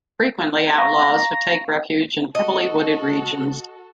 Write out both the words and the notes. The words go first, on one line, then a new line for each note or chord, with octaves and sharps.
Frequently outlaws would take refuge in heavily wooded regions.
F5 A#5 C#6
F#4 A4 D#5